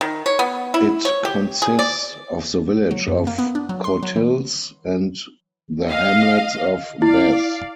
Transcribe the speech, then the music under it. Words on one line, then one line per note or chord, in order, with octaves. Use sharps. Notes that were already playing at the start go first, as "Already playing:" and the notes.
It consists of the village of Curtilles and the hamlets of Bez.
D#3
C#5
B3
E4
C#5
G4
G#4
D5
F#3
F#2
A#3
B3
D4
F#3
C6
F#3
E3
D#5 F5
E4 D5 F5